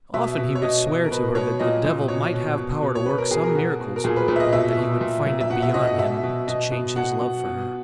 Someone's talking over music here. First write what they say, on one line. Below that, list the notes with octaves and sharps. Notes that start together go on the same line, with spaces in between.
Often he would swear to her that the devil might have power to work some miracles, but that he would find it beyond him to change his love for her.
B2 E5
B2
C#5
B2 D#5
B2
A#4
B2 B4
B2 C#5
A#2 D#5
A#2
B2 C#5
B2
B2
B2
C#5
B2 B4
A#4
B2 G#4
A#4
B2 F#4
B2
A#4
A#2 G#4
B4
A#2 B4
E5
D#5
B2 E5
B2
A#2
A#2
E5
B2 F#5
E5
B2 D#5
D#5
B2 E5
B2
B2 D#5
B2
B2 F#5
B2
B2